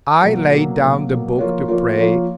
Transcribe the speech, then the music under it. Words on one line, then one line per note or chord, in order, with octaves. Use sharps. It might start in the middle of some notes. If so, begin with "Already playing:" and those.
I laid down the book, to pray.
B2 F#3 A#3
B2 F#3 A#3
B2 F#3 A#3
B2 F#3 A#3
F3 A#3 F4 A#4 C#5
F3 A#3 F4 A#4 C#5
F3 A#3 F4 A#4 C#5